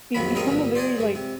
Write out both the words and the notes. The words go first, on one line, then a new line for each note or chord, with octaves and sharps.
you become a very like
A#1 F2 D#3 F3 F#3 B5
A1 G3 C4 D#4 A#4 D#6
G2 A#2 D3
C5 D5 D#5 G#5
G2 G#3
C3